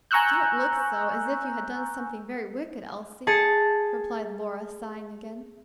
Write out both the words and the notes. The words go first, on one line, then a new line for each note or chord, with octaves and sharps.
"Don't look so--as if you had done something very wicked, Elsie," replied Lora, sighing again.
G#5 A#5 C#6 E6 F#6 G6
G#4 A5 A6 C#7